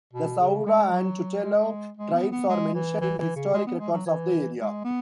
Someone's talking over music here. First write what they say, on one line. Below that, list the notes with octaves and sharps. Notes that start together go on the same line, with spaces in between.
The Saura and Tutelo tribes are mentioned in historic records of the area.
B2
C#3
G#3
F#3
G#3
G#3
B3
B3
G#3
E3
E3
E3
C#3
G#3
B3
G#3
F#3
E3
G#3
B3